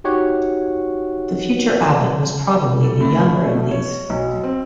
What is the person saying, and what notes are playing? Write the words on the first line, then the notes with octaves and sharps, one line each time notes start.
The future abbot was probably the younger of these.
D#4 F#4 G4 C#5 F#5
A4
A2
C#4
A3
B2
C#5
B1
C4